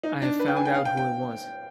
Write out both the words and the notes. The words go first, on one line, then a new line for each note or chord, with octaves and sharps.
I have found out who it was.
D#4
D4
B4
G5
G#5
G5
F5
G5
G5